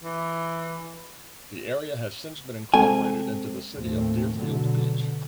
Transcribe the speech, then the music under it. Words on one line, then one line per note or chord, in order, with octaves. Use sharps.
The area has since been incorporated into the city of Deerfield Beach.
E3
G#3 C4 A4 G#5
D#2 A2 F3 A3 C4
B2 D3 F#3